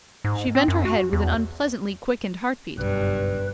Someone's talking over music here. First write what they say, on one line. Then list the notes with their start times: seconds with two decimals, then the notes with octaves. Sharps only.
She bent her head with an unpleasantly-quickened heart-beat.
0.25 G#2
0.55 C4
0.68 F#2
0.85 F#4
1.13 E2
2.78 F#1 B1 G2 B4